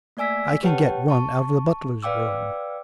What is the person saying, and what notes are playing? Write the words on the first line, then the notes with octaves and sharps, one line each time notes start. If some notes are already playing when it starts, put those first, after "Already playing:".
I can get one out of the butler's room.
A3 A#3 D5 G#5 E6 B6
G4 B4 C#5 F#5 G5 A5
A5 C#6
B4 D5 F5 G5 D6 E6